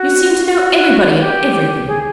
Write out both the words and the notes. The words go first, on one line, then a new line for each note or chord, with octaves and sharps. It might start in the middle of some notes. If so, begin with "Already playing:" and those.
You seem to know everybody, and everything.
Already playing: F#4
F#4
G4
G#4